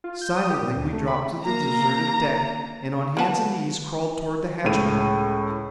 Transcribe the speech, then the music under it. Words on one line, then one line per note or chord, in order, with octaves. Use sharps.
Silently we dropped to the deserted deck, and on hands and knees crawled toward the hatchway.
F4
G6
D#6
G4
A#2
D2
A3
B5
A#3 A#5
A#3 B3 A5
C#2 A2 D#7